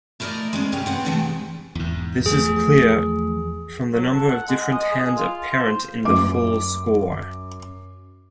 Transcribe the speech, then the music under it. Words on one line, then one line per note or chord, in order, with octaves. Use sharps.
This is clear from the number of different hands apparent in the full score.
A3 E4 A#4 C5 D5 D#5
G#3 B3 C#4
D2 C3 C#4 G4 C#5
B3 C4 F#5
A2 C3 E3 G#3 A3
E2 G#2
E2 F3 A3 G#4
F#3
A4
F#5
G#3
D#5
G#4
F4
C5
F#2 D6